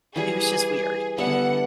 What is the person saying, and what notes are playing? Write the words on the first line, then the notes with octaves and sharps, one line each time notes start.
it was just weird.
E3 G3 G#4
D3 G3 B3 D4 E5 F#5